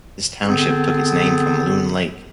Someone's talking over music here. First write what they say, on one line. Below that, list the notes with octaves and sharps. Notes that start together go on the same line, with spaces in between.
This township took its name from Loon Lake.
D3 B3 C4 G#4